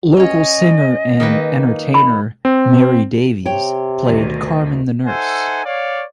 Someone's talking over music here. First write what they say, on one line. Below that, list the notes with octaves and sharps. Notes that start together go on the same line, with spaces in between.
Local singer and entertainer Mary Davies played Carmen the Nurse.
C#4 C#5 D#5
D#3 A#3 B4
B5
C4
C3 C#5 G5
D2 B2 D#3
D#4 A4 C5 E5 F#5 G#5
C#5 D5 F5